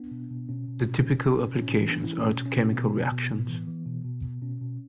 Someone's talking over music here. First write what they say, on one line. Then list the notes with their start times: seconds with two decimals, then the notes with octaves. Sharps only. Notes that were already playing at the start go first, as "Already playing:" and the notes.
The typical applications are to chemical reactions.
Already playing: B3 D4
0.11 B2
0.31 B2
0.49 B2 C#4
0.68 B2
0.86 B2
1.05 B2 C#4
1.24 B2
1.43 B2
1.62 A2 C#4
1.75 E3 C#4
1.89 B3 D4
1.99 E3 C#4 E4
2.18 B2 C#4
2.36 B2
2.46 C#4
2.55 B2
2.73 B2 B3
2.93 B2
3.11 B2
3.30 A2
3.49 E3
3.67 E3
3.86 B2
4.04 B2
4.24 B2
4.42 B2 C#4
4.61 B2